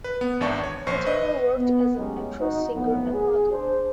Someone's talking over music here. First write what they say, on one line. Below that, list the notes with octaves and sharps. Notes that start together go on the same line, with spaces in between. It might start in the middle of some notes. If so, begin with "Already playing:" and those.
Kotero worked as an actress, singer and model.
B4
B3
G#1 E2 D4 E5 A5 C#6
C#5
A#1 C5 C#6 C7
B4 D#5 E5
B3
F#3 G#3 A3 C#4 D#4 G4
G#1 D#4 F#4
F2 A2 F#3 B3
G#4
D4 C5